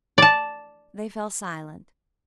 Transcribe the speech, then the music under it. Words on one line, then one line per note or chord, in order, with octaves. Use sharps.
They fell silent.
D5 A5